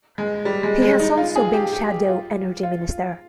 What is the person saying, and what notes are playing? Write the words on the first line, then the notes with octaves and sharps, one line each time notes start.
He has also been Shadow Energy Minister.
G#3
G3
G#3
G#3
D#4
F4
G#4
G4
G4
G4
F4
F4